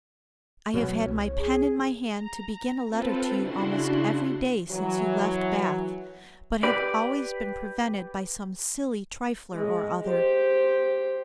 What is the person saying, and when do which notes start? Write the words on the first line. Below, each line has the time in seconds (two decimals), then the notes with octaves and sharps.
I have had my pen in my hand to begin a letter to you almost every day since you left Bath, but have always been prevented by some silly trifler or other.
0.74 B2 F#3 B3 C#5
1.01 C2
1.38 G#4
2.08 A#5
2.88 C4 F4 A4 B4
3.37 C#3 D4 E4 F#4 F#5 C6
4.69 E3 F#3
6.63 G4 B4 D5
9.52 G#3
10.04 G4 C5